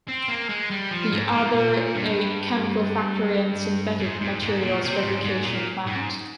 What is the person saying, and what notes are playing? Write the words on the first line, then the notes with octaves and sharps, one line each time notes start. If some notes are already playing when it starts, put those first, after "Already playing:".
The other a chemical factory and synthetic materials fabrication plant.
C4
A#3
G#3
G3
F3
G#2
A#2
A#2
G2
G#2
G#2
G#2
A#2
C3
G#2
G#2
A#2
G#2